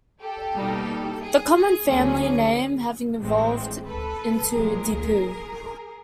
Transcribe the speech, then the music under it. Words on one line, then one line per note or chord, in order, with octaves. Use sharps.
The common family name having evolved into dePoo.
G4 A4
B2 G3 A#3 D#4
G#4
G#4
D2 D3 F#3 A#3 C#4 G#4
A1 A2 E3 G#3 C4
A4 B4
B1 A#2 F3 G#3 G#4 A#4